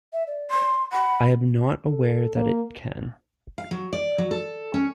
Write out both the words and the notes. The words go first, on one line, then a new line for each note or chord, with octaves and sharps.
I am not aware that it can.
E5
D5
C6
F#5 B5
A4
A#3
F5
F#3
D5
F#3
A4
C#4